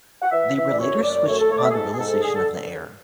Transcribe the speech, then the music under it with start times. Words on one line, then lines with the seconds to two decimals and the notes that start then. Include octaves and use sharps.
They were later switched upon the realization of the error.
0.22 F#5
0.31 E3 E5
0.56 E3 E5
0.71 D5
0.79 F#2 C#5
1.03 F#2 D5
1.27 A3 C#5
1.39 A4
1.51 A3 C#5
1.57 D5
1.63 E5
1.70 G#4
1.75 G#2 A4
1.93 G#4
1.99 G#2 A4
2.22 D3 G#4
2.35 A4